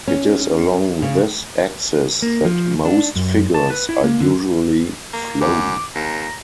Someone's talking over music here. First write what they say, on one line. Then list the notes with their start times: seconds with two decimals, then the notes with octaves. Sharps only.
It is along this axis that most figures are usually flown.
0.07 C#4
1.02 C#3
2.22 A#3
2.45 F3
2.85 D4
3.16 F#2
3.54 A5
3.70 B4
3.89 E4
4.04 A#3
4.20 D3
5.13 A#3
5.41 F#2 D6
5.95 D#2 A#5